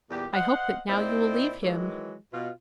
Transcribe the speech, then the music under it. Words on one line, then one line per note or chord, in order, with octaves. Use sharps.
I hope that now you will leave him.
E2 A#2 G3 G4
C5 D#5 F5 F#5
A#2 C4 D#4 E4 D5 D#5
D#3 E3 F#3 G#3
B2 F4